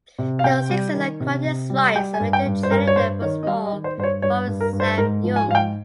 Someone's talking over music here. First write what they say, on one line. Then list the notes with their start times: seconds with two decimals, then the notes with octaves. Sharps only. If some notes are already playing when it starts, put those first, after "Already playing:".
The Sixers acquired his rights, and later traded them for small forward Sam Young.
0.18 C3
0.39 F5
0.44 C3 G5
0.69 G3
0.95 D#3
1.20 C3
1.45 C3
1.70 G3
1.95 G3 G5
2.14 G#5
2.20 G2
2.33 G5
2.46 G2
2.63 C5
2.71 G2 A#4
2.87 C#5
2.96 G2 C5
3.22 D#3 C#5
3.43 D#5
3.47 G3 F5
3.66 D#5
3.73 D#3
3.84 C5
3.98 G2 C5
4.03 C#5
4.22 G2 C#5
4.47 G2
4.61 A#4
4.73 G2
4.80 C5
4.98 G#2 A#4
5.23 F3
5.36 G#5
5.48 G#2 F5
5.55 G5